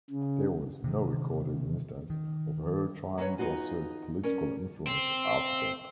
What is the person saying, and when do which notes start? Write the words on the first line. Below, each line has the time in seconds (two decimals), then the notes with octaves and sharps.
There was no recorded instance of her trying to assert political influence after that.
0.10 C#3
0.84 C3 D#3
2.10 D#3
3.18 F#3 C#4 B4 C#5
3.38 B3 D#4 F4 F#4 G#5
4.23 C#4 A#4 D5
4.87 C4